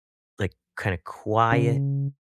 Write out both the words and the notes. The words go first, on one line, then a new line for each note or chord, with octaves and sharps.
like, kinda quiet.
C#3